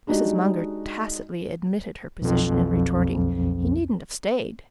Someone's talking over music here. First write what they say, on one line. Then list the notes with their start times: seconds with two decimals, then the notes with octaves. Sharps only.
Mrs. Munger tacitly admitted her position in retorting, "He needn't have stayed."
0.07 G#3 D4 D#4 F#4 G4 D#5
2.22 B1 F2